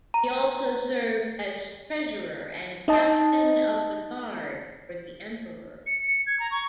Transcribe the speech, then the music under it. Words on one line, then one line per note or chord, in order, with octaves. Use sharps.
He also served as Treasurer and Captain of the Guard for the Emperor.
A#5
D#4 D#5 A5
C#7
C#7
G#6
A#5
C#6